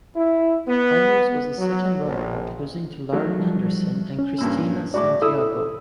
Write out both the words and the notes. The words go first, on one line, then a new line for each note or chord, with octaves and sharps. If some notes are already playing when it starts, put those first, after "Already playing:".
Meiers was a second runner-up, losing to Lauren Anderson and Christina Santiago.
E4
B3
F#3
A#1
D#3 F#3 A3
F3 G3
C#4
G2 A#2 E6
A2 G#3 F#4 D5 D6
E4 A4 D#6 E6